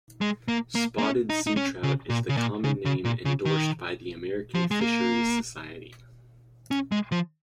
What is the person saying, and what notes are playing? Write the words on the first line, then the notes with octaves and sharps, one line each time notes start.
Spotted seatrout is the common name endorsed by the American Fisheries Society.
G#3
A#3
A#3
A#3
C#4
D#4
D#4
C#4
C#3
A#2
C#3
A#2
C#3
C#3
A#2
C#3
D#3
F3
G#3
A#3
C#4
G#3
F3